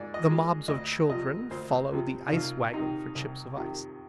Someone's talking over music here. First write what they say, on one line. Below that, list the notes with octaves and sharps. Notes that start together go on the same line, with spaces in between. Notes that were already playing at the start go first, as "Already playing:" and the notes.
The mobs of children follow the ice-wagon for chips of ice.
Already playing: G#2 D5
D#5
F3 G#3
D2 D#5
C3 F3 D#5
D2 C5
C3 F3
D#4
C2 F4
C3 D#3 D#4
C2
C3 D#3